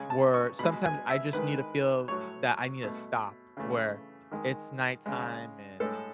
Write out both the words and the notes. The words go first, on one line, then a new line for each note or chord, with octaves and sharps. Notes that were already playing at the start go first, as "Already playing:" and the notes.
where sometimes I just need to feel that I need a stop, where it's nighttime and
Already playing: C#3 G#3 G#5
A5
C#6
B2 G#3 B5
G#5
E5
D#3 G#3 B4
A2 F#3 A3 C#5
B2 A3
C#3 E3 A3
D#3 G#3
C#3 G#3
A2 G#3 A4